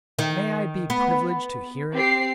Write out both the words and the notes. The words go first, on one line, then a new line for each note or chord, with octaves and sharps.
May I be privileged to hear it?
D#3
B3
C4 G4 C7